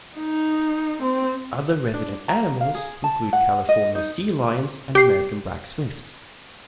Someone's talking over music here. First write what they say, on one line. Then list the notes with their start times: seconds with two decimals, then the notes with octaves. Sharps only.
Other resident animals include California sea lions and American black swifts.
0.18 D#4
1.03 C4
1.94 D4
2.28 A#5
2.61 F5
2.74 G#4
3.04 A5
3.33 F#5
3.69 D#5
3.95 D#4
4.95 G4 C7